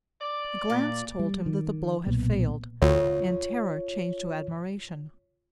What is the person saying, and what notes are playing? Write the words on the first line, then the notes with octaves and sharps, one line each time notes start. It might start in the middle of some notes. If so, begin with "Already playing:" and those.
A glance told him that the blow had failed, and terror changed to admiration.
D5
A#2
G3
D#3
B1 A#2 B3
D2 F4 C#5